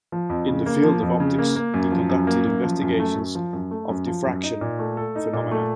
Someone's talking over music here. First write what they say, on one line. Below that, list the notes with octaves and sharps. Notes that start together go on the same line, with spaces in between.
In the field of optics he conducted investigations of diffraction phenomena.
F3
F2
C#3
A#3
F3
F2
C#3
A#3
A#3
F#2
F3
F#2
A#3
F#2
F3
F#2
A3
F#2
F3
F#2
A3
F#2
F3
F#2
D#4
A#2
A3
A4
D#4
A#2
A3